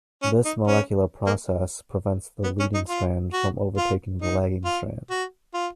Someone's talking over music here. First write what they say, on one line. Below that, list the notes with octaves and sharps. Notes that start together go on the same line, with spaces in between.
This molecular process prevents the leading strand from overtaking the lagging strand.
C#4
D#4
C#4
A#3
B3
C#4
D#4
F4
F#4
F4
D#4
F4
F#4
F4